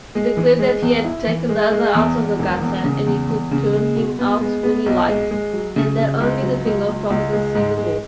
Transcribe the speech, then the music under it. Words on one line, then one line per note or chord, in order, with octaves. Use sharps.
He declared that he had taken the other out of the gutter and he could turn him out when he liked, and that only the finger of Providence sees it all.
G#3
E3
G#3
E2
E4
E3
G#3
G#3
E2
E2
E1
E2
C#3
E2
E2
C#3
G#3
B2
B3
G#3
B3
B1
G#3
G#3
F#3
C#3
C#3
C#2
F#3
C#2
C#2
C#2
G#3
G#2
G#3